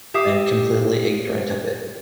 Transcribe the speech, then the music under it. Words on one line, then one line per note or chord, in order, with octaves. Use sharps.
I am completely ignorant of it.
G4 E5 D#6 C7